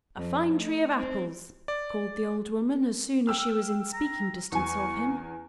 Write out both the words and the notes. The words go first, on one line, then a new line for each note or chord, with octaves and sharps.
"A fine tree of apples!" called the old woman as soon as she was in speaking distance of him.
F2
A3 D#4
C4
D5
G5 E6 F6
A#5
E2 G#5 C#6